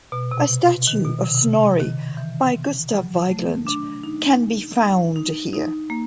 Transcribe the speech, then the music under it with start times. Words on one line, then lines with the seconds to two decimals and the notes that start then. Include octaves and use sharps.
A statue of Snorri by Gustav Vigeland can be found here.
0.12 B2
0.31 C3
0.87 D#3
1.05 B2
1.24 C3
1.35 C3
1.43 C#3
1.80 D#3
2.17 E3
2.55 E3
2.92 F#3
3.30 A3
3.67 D4
4.03 D#4
5.16 D#4
5.53 D#4
5.90 A#3